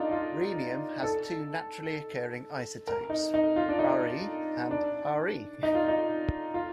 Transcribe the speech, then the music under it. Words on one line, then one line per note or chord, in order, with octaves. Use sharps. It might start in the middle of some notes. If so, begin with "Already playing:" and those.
Rhenium has two naturally occurring isotopes, Re and Re.
Already playing: D4 D#4 F4
F4
A4
A#4
D#4
D#4
F4
D4
D#4
D4
D#4
F4
D#4
F4